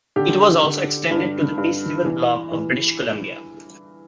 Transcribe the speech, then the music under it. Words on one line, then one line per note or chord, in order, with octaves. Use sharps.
It was also extended to the Peace River Block of British Columbia.
D3 G4
D3
G2
G2
E3
E3